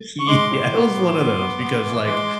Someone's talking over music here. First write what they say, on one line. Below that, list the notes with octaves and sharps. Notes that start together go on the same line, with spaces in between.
yeah, it was one of those, because, like,
C#6
G#3 C6 D6
A2
B3
A2
B3
B3
B3
E3
G#3